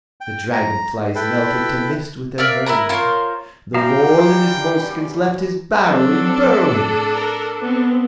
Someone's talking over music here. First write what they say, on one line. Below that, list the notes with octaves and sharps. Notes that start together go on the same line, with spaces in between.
The dragon-flies melted to mist with their hurrying. The mole in his moleskins left his barrowing burrowing.
G5
A#5
E4 A4 B4 G5
A#4 D5 E5 F5
E4 A#4 B4 A#5
F4 A#4 C5 C#5
F#2 E3 G3 F#4 E5 F5 G5 A#5
F#3 C4 D4 A4
A2
A#4
B3 C4